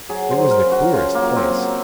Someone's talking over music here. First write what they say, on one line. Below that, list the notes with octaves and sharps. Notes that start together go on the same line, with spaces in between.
It was the queerest place!
F#3 G#4
C5
F#3
A#4
C#3
F#4
C#3 F4
A#3
F#3
C4
F#3